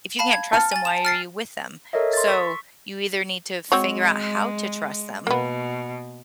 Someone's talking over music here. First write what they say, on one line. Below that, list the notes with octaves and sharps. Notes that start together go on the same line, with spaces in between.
if you can't trust 'em, why are you with them? So, you either need to figure out how to trust them
F5 A5 B5
G#6
A5 F6 C#7
G#5 A6
E7 F7
F6 A6 C7
A4 A#4 C#5 D#5 E5
C6 A6
C#6 E6 B6
G#3 C4 F#4 C#5
B2 A#3 B3